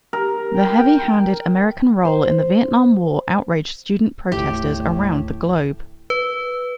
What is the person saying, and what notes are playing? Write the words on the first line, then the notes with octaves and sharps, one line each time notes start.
The heavy-handed American role in the Vietnam War outraged student protestors around the globe.
A#4
G5
C5
G#1 D2 A2 G4
B4